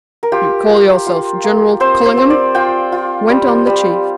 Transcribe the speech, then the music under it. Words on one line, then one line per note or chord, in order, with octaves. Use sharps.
"You call yourself General Collingham?" went on the Chief.
A#4
F4 G4
F4
F4
A#3
C4 C5
C5
C4
D5
F4 G5
F4
G3
G3